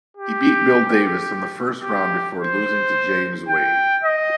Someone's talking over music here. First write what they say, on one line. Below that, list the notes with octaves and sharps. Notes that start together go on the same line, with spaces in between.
He beat Bill Davis in the first round before losing to James Wade.
G4
G4
C5
G5
D#5